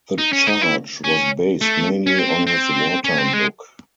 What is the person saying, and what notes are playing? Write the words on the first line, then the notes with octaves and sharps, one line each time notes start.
The charge was based mainly on his wartime book.
D#4
C#4
D#4
E4
C#4
A3
C#4
C4
C4
C#4
C4
G#3